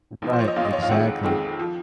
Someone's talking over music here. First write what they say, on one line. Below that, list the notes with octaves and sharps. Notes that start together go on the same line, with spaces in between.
Right, exactly.
A#1 A#2 F3
C5
C#5
D#5
A#1 A#2 F3 F5
D#5
C#5
F5
F2 D#3 G#3 C4 F#5
F2 D#3 G#3 C4
F3